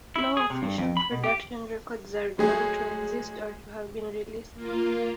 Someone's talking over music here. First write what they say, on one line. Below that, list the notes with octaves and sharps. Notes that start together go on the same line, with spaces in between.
No official production records are known to exist or to have been released.
E4
G#4
C3
G2
F2
B5
B2
G4
F#3 G#3 A3 G#4
A#3 F4